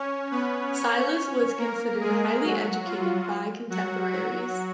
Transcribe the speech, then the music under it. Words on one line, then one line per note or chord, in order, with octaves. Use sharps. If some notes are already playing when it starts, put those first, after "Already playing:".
Silius was considered highly educated by contemporaries.
Already playing: C#4 C#5
B3 B4
C#4 C#5
A#3 A#4
G#3 G#4
F#3 F#4
F4
F#3 F#4
F#3 F#4